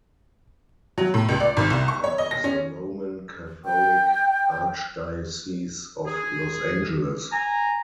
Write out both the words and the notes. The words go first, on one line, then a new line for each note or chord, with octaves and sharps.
It is part of the Roman Catholic Archdiocese of Los Angeles.
F#3
A2
C#2
D5
G#1
C2
C#6
C#5
D#5
A#6
C#4
G5
G#4
G#5 A#5